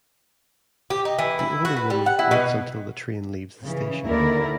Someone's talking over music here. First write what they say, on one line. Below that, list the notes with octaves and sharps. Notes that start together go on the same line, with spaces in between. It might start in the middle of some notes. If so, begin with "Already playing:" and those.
The older woman waits until the train leaves the station.
G4
D#4
E3
E4
F#4
B4
G3
F#5
E4
B2
C#3 E3
D#2 D3 E4 A#4 D5